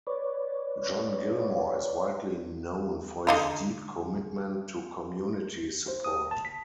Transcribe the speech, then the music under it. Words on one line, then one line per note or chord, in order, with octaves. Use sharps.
John Gilmore is widely known for his deep commitment to community support.
B4 C#5 D5
D3 D#4 F4
C5
D#6
A5
B6